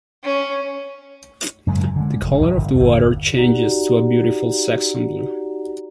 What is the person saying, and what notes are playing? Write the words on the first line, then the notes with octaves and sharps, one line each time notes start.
The color of the water changes to a beautiful Saxon blue.
C#4
F#2 C#3 G3 G#3
D3 G#3
E1
A#1
G1
G1 E2
D#4 F#4 G4 D5 F#5 A#5